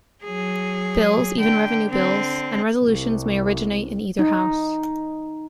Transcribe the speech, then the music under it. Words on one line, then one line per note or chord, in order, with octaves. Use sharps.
Bills, even revenue bills, and resolutions may originate in either house.
F#3 G#4
D3 G5
D3 C4
C2
D#4